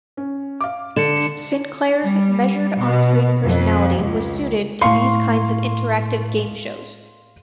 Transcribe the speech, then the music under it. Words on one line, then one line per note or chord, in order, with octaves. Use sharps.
Sinclair's measured on-screen personality was suited to these kinds of interactive game shows.
C#4
F5 D6
D3 C#7 E7
G3
B2
F2
C#2
A2 F5 C6 C#6